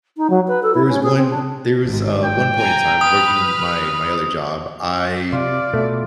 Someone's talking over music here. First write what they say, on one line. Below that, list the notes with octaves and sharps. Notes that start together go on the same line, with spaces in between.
there was one there was, uh, one point in time working my my other job. I
D#4
F#3
B4
A4
E4
C#4
G#4
C4
D4
G#1 G#2
G5
G#5 A#5
B4 D#6 F6
C3 F4 D5
B2 A3